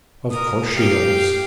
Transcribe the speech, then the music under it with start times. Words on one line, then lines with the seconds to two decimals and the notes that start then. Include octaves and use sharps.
'Of course she knows.
0.31 A#4 D#6
0.75 G4 F5 G5